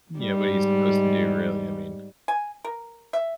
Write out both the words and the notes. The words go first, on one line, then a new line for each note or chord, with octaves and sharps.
Yeah, what are you supposed to do, really, I mean.
G#2 G3
G#5
A#4
E5